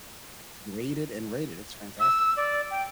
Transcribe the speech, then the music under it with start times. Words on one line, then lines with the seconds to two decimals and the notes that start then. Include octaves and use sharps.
rate it and rate it, it's fantastic.
2.00 E6
2.37 D5
2.71 G5